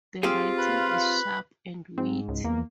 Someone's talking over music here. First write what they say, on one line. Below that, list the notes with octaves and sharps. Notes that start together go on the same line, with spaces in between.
The writing is sharp and witty.
C4 F4 G4 G#4
B4 B5
G#2 C4
C#2
E2 A#3